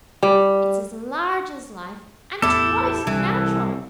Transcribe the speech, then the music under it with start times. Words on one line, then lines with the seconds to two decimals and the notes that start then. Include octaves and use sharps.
It's as large as life, and twice as natural!'
0.23 G3
2.42 A1 E2 B3 E4 G4 A4
3.07 C2 C3 E3